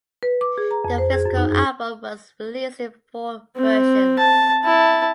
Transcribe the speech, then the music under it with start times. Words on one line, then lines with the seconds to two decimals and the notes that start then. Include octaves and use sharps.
The physical album was released in four versions.
0.23 B4
0.41 D6
0.58 G#4
0.71 A#5
0.85 F2
0.98 C5
1.13 G#4
1.26 F#2
1.37 D#4
1.51 G#4
3.56 C4
4.19 A5
4.65 E4 A5